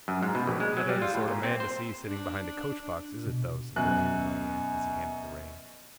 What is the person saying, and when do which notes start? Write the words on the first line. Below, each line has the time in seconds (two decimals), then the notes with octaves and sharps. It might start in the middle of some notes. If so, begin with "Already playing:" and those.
'That ain't a sort of man to see sitting behind a coach-box, is it though?' said William in my ear, as he handled the reins.
0.08 F#2
0.23 G#2
0.35 B2
0.47 A#1
0.60 G#3
0.77 F#3
0.89 G3
1.02 F4
1.14 A2
1.28 A#2
1.43 C4
1.60 C5
2.08 D4
3.26 B2
3.76 F#2 B2 F#6